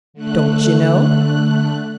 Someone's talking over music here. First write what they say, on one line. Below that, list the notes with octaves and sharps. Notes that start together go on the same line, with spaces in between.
Don't you know?
D3 A3 F#6